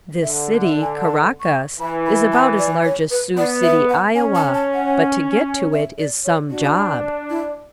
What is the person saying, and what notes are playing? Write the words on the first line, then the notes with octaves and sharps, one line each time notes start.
This city, Caracas, is about as large as Sioux City, Iowa, but to get to it is some job.
D3 E5
E5
G#5
A5
C#6
E3 B5
B5
A5
D5
C#5
B4
B3 D5
E5
F#5
C#4 G#5
A5
A5
F#5
E5
D5
C#5
D4 F#4
E4